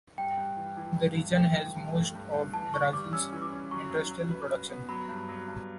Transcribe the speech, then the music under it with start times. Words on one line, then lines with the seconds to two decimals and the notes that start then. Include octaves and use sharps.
The region has most of Brazil's industrial production.
0.18 G2 G5
0.37 G2
0.57 E3
0.77 E3
0.97 G2
1.16 G2
1.35 A3 G5
1.55 E3
1.75 G2
1.95 A3
2.15 G2
2.34 G2
2.54 E3 A5
2.73 E3 C#6
2.93 G3 D6
3.13 C#4 E6
3.33 E3
3.42 D6
3.52 C#4
3.71 F#3 C#6
3.91 F#3
4.11 F#3
4.30 B4
4.50 B4
4.70 B3
4.89 F#3 B5
5.09 G2
5.29 F#3
5.48 G2